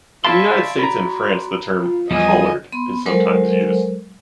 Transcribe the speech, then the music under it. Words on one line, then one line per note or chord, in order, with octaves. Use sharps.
In the United States and France the term "collared" is sometimes used.
C#5 D5 E5 F5 A5 B5 C6
F#4 A#5 B5
F4
E2 F3 G3 B3 D#5 G#5
B3 B5 C6
F#3 G#3 A4 A#4 C5